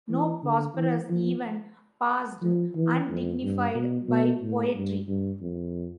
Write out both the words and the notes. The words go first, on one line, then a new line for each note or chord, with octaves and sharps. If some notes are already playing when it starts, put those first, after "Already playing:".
No prosperous event passed undignified by poetry.
E3
D3
E3
F3
F3
E3
F2
G2
B2
B2
A2
G2
G2
F2